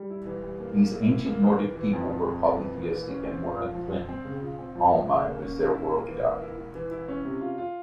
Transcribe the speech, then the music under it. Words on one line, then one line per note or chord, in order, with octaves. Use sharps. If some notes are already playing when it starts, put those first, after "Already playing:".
These ancient Nordic people were polytheistic and "Waralden Olmai" was their "world-god".
Already playing: G3
E4
E3
G3
A#3
A#3
E4
E4
A#3
E3
E3
E3
F2
F2
F2
F2
E3
A#3
E3
C#4
C4
F4
F3
F3
C4
C4
C#3
F4
C4
F3
F3
C#3
A#3
C#4
E4
E4
A#3
E3
A#3
E4
E4
E3
E4
C#4
C3
F4
F4